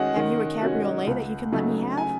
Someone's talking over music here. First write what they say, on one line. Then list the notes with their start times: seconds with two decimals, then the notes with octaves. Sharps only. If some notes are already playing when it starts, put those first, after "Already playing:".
"Have you a cabriolet that you can let me have?"
Already playing: D#3 G#3 C#4 F#4 D#5 F#5
0.17 D#3
0.62 G#3 C#4 F#4
1.07 C#2
1.52 C#3 F#3 A3 D#4
1.97 G#5